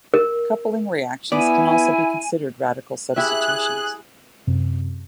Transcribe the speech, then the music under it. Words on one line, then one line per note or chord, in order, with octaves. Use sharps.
Coupling reactions can also be considered radical substitutions.
A#4
B3 E4 D5 G#5
E4 G4 G#4 E5 F#6
F#2 C3